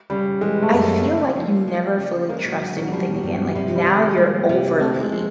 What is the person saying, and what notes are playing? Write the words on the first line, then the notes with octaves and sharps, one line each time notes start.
I feel like you never fully trust anything again, like, now you're overly
C#3 G3
E3 G#3
A3
F#2
A#3
C#3
F3
G#3
C#3
G#3 A#3
F#3
D3
F#3
F3 G3
F#3
G2
F#3
C3 G3
G3
D#3
G#3
G3 A#3
C3
A3 C4
G#3
F3